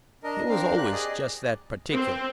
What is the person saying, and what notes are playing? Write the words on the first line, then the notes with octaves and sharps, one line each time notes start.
He was always just that particular.
D4 A#4 D#5
C4 D4 A#4 F5
G4 F#6
G#4 D5 D#5
C4